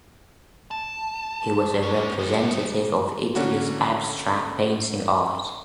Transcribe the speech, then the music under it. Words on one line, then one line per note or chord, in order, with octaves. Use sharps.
He was a representative of Italy’s abstract painting art.
A5
A#3 C#4
G3 B3
D3 A#3 C#4 F#4